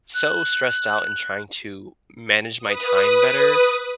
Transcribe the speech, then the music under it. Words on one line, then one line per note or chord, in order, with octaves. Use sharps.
so stressed out in trying to manage my time better
F#6
B4 D#6